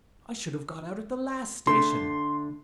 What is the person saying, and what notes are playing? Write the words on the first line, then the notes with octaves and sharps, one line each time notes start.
I should have got out at the last station.
D3 A3 C6